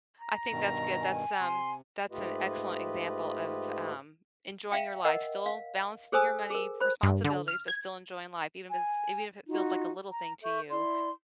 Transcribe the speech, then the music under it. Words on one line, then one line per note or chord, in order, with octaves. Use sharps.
I think that's good, that's, um, that's an excellent example of, um, enjoying your life, still balancing your money, responsibilities, but still enjoying life, even if it's even if it feels like a little thing to you,
A#5
G2 B2 D#3
G#5
C3 C6
G#2 A3 F4 G4 B4 D#5
E5 F5 G5
A#4 D#5 F#5
F5
G#4 A4 C5 G#5 D#6 E6
G#4 A#4
C5 B5
G2
D3
F6
G#6
G#5
D#4 F4 F#4
A#5
A4 E5 C#6 G6
E4 D5 C6